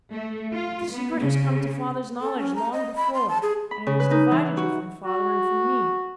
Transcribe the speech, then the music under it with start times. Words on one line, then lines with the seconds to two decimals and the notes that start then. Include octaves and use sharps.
But the secret has come to father's knowledge long before, and it has divided you from father, and from me.'
0.12 A3
0.53 F4
0.91 B3
1.22 C#3
2.21 A4
2.38 C#4
2.56 A#5
2.73 D#5
2.96 B5
3.14 C6
3.29 A5
3.42 G#4
3.71 B5
3.87 C#3
4.00 B4
4.11 D#4
4.31 E3
4.57 F#4
5.04 F#4